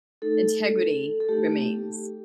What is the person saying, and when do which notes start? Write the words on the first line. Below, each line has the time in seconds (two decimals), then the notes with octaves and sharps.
integrity remains.
0.22 A3 D#4 A4
1.20 A4
1.28 A3 D#4 G4